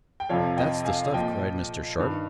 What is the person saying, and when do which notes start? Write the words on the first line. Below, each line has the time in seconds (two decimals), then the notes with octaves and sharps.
"That's the stuff!" cried Mr. Sharp.
0.20 G5
0.29 F2 C3 F3 C#5 F5
0.57 D#5 G5
0.85 F5 G#5
1.13 A#2 F3 D#5 G5
1.98 G2 D#3